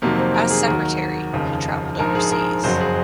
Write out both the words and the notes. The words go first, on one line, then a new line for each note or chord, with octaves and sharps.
As Secretary, he traveled overseas.
F2 C3 D#3 F#3 A#3
C4
A#4
G#4
D#2 D#3 F#3 A#4
F1 D#2 C#3 F3
A#1 G#2 F3 A#4
G#4
A#4
F#1 F2 C#3 F#3 C5
G#4